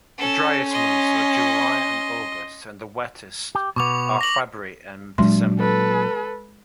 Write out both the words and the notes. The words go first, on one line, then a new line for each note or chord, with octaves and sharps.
The driest months are July and August and the wettest are February and December.
C#4 A4
D#5 C6
G4
B2 B3 C#6 D6 F7
A#6 F#7
A#2 F#3 G#3 D4 C6
A4 B4